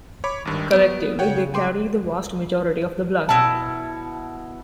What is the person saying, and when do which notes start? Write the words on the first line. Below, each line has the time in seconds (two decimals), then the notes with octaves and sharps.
Collectively, they carry the vast majority of the blood.
0.24 C#5 B5 D6
0.45 G#1 G2 D#3
0.71 F#3 B3 D7
1.19 C#3 C#5 F#5 G5
1.54 G5 C6 D6
3.29 B2 E4 F#5 A5